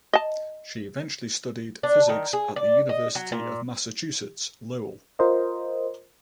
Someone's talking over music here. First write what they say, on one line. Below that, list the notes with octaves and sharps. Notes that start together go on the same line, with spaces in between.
She eventually studied physics at the University of Massachusetts Lowell.
D#5 A5
D4
D#3
G#4
D5
D#5
F#3
A#2
F4 A#4 C5 D#5